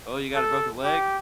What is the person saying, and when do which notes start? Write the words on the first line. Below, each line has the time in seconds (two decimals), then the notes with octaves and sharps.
"Oh, you got a broken leg?"
0.35 A4
0.83 G4